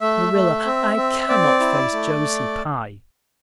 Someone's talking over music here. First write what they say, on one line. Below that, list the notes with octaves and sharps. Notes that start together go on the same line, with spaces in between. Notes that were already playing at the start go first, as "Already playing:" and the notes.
Marilla, I CANNOT face Josie Pye.
A3 E5
A3
C4
C4
C4 D5
E4
A3